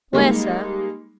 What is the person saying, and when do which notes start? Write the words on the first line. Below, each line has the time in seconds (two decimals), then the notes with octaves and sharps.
"Where, sir?"
0.13 G3 G#3 A#3 D#4